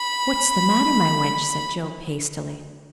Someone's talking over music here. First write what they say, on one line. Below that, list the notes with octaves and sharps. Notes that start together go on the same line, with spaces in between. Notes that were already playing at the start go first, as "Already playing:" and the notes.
"What's the matter, my wench?" said Job, hastily.
Already playing: B5